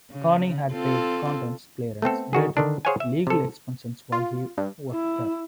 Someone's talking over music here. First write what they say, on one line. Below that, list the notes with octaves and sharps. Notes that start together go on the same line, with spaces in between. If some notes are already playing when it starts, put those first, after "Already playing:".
Corning had paid Condon's clearance-related legal expenses while he worked there.
C#3
C4 F4 A4
A3 B3 C4 A4
D#3 F#4 G#4
D3 D#3 D4
G#4 C5 C#5 F5 F#5 G#5
E5
C3 A4
F4
G2
E4